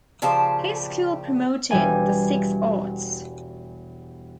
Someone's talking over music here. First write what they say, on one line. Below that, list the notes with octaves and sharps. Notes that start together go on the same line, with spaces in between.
His school promoted the Six Arts.
A#2 C#3 F3 G4 A5
E1 G3 G#5